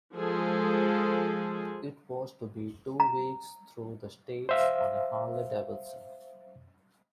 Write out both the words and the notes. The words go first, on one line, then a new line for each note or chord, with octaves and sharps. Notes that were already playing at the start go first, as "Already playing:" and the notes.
It was to be two weeks through the States on a Harley-Davidson.
F3 G#3 G#4 A4
A#5
C5 E5 F5